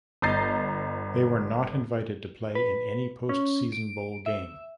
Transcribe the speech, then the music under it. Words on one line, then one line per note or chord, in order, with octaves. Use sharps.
They were not invited to play in any post season bowl game.
G1 D#5 A#5 G6 A6 C7
B4
C#4
D7
E5